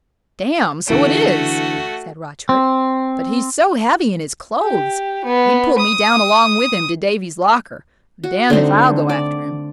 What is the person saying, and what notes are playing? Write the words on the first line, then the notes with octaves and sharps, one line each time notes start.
"Damme, so it is," said Rochfort; "but he's so heavy in his clothes, he'd pull me down along with him to Davy's locker:--damme, if I'll go after him."
D3 E3 A3 F#4 D7
C4
G4
B3
D#6
F#4
D3 A3 C4 D#4
D5